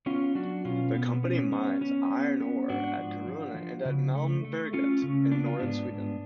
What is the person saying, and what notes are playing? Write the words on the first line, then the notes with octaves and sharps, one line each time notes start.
The company mines iron ore at Kiruna and at Malmberget in northern Sweden.
B3 C#4 F4
F#3 D4 F#4
B2 C#4 F4
B2 B3
B3 C#4
B3 C#4
B3 C#4
B3
B3
G#2 D4 F#4
F3
F3
F3
C#3
A3
A3
A3 C#4 F4
C#3 C#4
B3 D4
F4
G#2 B3 D4
G#2